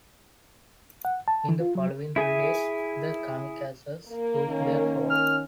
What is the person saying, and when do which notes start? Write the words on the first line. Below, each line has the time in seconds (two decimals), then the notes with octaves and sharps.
In the following three days, the kamikazes took their toll.
1.05 F#5
1.28 A5
1.49 E3
1.60 F4
1.75 F#3
2.16 E4 G#4 E5 G#5
4.11 A#3
4.48 D#3 C#4
5.10 F6